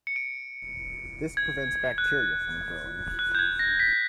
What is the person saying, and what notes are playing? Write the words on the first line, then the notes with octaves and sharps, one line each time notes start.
This prevents bacteria from growing.
C#7
D7
G#6
F#6
F#6
G6
G#6
A#6
B6